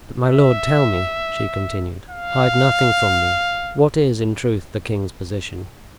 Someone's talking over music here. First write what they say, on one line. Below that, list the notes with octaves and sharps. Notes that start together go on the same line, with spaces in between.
But my lord, tell me," she continued, "hide nothing from me--what is, in truth, the king's position?
E5
F5